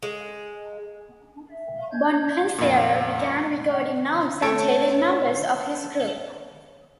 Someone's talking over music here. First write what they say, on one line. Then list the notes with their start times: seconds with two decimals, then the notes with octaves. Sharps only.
Bonpensiero began recording notes and tailing members of his crew.
0.03 G#3
1.51 E5
1.92 G6 G#6
2.58 F2 A#2 F5 F#5
4.42 A3 A4 C#5 A5 D7